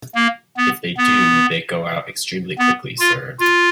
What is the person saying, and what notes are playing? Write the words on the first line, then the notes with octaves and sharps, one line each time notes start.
If they do, they go out extremely quickly, sir.
A#3
B3
B3
B3
F4
F4